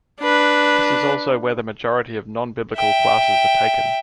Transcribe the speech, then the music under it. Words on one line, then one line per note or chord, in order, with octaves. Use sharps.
This is also where the majority of non-biblical classes are taken.
D4 B4
E5 G5